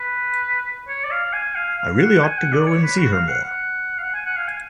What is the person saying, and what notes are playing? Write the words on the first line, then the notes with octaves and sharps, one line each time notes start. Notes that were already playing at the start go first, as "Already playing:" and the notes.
I really ought to go and see her more.
Already playing: B4
C#5
D5
F5
G#5
F5
F5
F5
F#5
G#5
F#5
D5
C#5
B4
F#4
F5
F#5
F#5
F5
F#5
G#5
F#5
F5
G#5